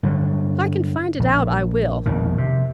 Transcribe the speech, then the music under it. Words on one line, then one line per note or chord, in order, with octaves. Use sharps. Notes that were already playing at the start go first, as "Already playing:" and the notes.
'If I can find it out, I will.
G2 D3 F#3
A#1
A#1 F2 B2 D#3
C3